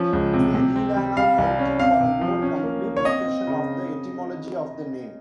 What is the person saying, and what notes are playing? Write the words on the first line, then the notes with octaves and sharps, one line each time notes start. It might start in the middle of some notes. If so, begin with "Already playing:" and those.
See Leelanau County for a more complete discussion of the etymology of the name.
Already playing: F3 C#4
C#2
C3
C3
C4
G3
G3 F5
C2
C#4
C3 F5
C3
F3
C#4
A#3
A#3
C#5
C4 D#5
C4
C#3